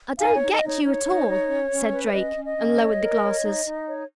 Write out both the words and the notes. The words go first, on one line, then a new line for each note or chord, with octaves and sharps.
"I don't get you at all," said Drake, and lowered the glasses.
D#4 F5 G#5
C#5
D#4
D#5
D#4
C#5
D#4 C#5
D#4
D#4
C#4
C#4
B4
C#5
C#4 D#5
C#4
D#5
C#4
C#5
A#4
C#5
D#4
D#4
C#5